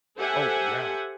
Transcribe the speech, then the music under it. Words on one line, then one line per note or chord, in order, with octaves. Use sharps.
Oh, yeah.
G4 A4 C5 E5 F#5 G#5